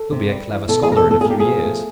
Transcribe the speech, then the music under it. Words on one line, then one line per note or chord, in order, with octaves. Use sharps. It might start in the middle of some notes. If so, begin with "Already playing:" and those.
He'll be a clever scholar in a few years.'
Already playing: A4
C3
G3
E3
B2 A4
G#4
B2
A#4
A4
A3 A4
G#4
A#2
G4
F3 G#4
A3